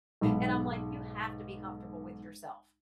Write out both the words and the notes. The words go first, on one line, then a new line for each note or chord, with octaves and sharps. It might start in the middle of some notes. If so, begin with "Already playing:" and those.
and I'm, like, you have to be comfortable with yourself
B1 G#2 B5